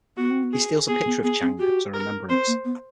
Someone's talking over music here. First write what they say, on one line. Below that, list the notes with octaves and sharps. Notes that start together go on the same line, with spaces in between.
He steals a picture of Chang as a remembrance.
B3 F#4
C4
B3
G#4
B3 G#4
B3
B3 G#4
C4
F#4 G4
A#4
C4 C5
A#3
B3